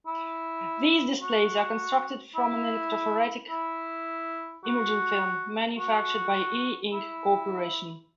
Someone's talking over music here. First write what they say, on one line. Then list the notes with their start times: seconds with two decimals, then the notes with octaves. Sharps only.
These displays are constructed from an electrophoretic imaging film manufactured by E Ink Corporation.
0.07 E4
1.21 F#4
2.36 E4
3.50 E4
4.65 F#4
5.79 F#4
6.94 E4